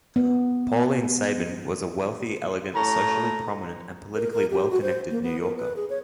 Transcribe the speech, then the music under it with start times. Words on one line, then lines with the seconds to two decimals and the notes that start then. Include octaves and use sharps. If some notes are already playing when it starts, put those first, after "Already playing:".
Pauline Sabin was a wealthy, elegant, socially prominent, and politically well-connected New Yorker.
0.16 B3
2.75 A2 C#5 A#5
4.14 A#4
4.32 A#4
4.51 G4
4.71 F#4
4.82 C5
5.10 A#3
5.23 B3
5.40 A#4
5.56 B4
5.76 G#4
5.89 C#5